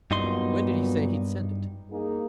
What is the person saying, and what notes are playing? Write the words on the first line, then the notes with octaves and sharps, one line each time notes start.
"When did he say he'd send it?"
G2 A#2 F#3 B3 D#4 C6
A#3 D#4 G#4